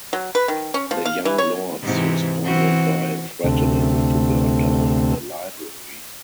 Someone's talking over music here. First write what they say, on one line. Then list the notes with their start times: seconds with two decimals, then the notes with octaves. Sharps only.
The Young Lords responded by threatening to burn down the library.
0.13 F#3
0.35 B4
0.48 D#3
0.74 C#4
0.91 F3
1.05 F5
1.25 E3
1.38 C#5
1.82 G#2 C3 E3
2.44 E3 C4 F#4
3.44 D2 C3 A3